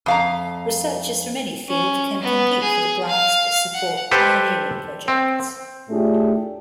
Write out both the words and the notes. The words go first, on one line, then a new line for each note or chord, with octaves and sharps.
Researchers from any field can compete for the grants that support pioneering projects.
F2 F5 A#5
C#4
B3
G#4
F5
F#5
G4 A4 B4 C5
C4
A2 A3 D4 F4 G4 G#4